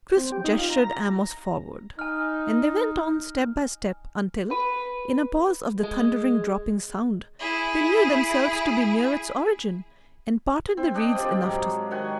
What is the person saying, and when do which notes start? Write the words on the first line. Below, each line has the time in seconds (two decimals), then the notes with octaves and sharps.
Chris gestured Amos forward, and they went on step by step until, in a pause of the thundering dropping sound, they knew themselves to be near its origin and parted the reeds enough to see.
0.17 C4
0.32 G4
0.44 D#4
0.58 F4
0.70 A#5
0.83 A#5
1.99 D#4 G#5 F6
4.51 B4
5.83 G#3
7.40 E4 G#4
10.77 C4
10.95 D4 D#5 G5
11.15 C4 F4 G4 D5
11.43 G#2 F#3
11.91 D#3 F#4 G#5